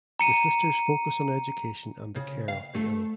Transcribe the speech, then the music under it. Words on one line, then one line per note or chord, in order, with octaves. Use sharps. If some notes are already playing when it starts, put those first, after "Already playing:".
The sisters focus on education and the care of the ill.
A#5 C#7 D#7
C#3
F5
A3